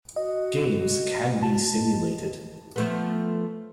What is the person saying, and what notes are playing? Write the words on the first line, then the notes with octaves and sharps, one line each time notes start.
Games can be simulated.
F#4 D#5
A5
F3 A3 B3